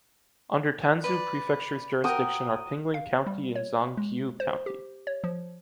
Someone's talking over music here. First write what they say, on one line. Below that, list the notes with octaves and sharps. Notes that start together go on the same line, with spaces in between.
Under Tanzhou Prefecture’s jurisdiction are Pingling County and Zhangqiu County.
B4 D5
F#4 A#4 G5 D#6
F5
G3
C#5
G#3
C5
G4
C#5
F3